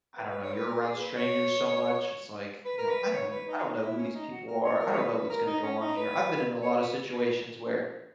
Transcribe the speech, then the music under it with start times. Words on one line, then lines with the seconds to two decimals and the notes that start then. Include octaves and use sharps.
I don't know, you're around strangers so much. It's like, you know, "I don't know I don't know who these people are. I don't know what's gonna go on here." I've been in a lotta situations where
0.17 B4
0.30 B4
0.42 C#5
0.54 B4
0.67 A#4
0.83 G#4
0.99 B4
1.16 C#5
2.65 B4
2.78 A#4
2.89 B4
3.03 B4
3.15 C#5
3.31 B4
3.48 D#4
3.65 D#4
3.81 E4
3.97 C#4
4.14 D#4
4.31 F#4
4.47 A#4
4.64 C#5
4.80 A#4
4.91 C#5
4.97 B4
5.14 B4
5.29 A#4
5.47 D#4
5.63 C#4
5.80 D#4
5.97 B4
6.62 C#5
6.79 B4
7.12 B4